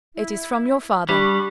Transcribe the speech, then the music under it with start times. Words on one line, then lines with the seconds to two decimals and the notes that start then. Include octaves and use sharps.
"It is from your father."
0.15 E4
1.09 G3 D4 G4 B5 C#6 F#6